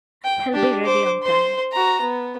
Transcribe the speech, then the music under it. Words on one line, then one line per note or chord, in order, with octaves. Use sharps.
He'll be ready on time.
G5
D4 G4
C5 D6
C5 C6
F#4 A#5
B3